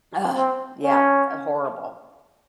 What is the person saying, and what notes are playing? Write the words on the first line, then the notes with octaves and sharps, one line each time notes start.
ugh, yeah, uh horrible.
C4
C#4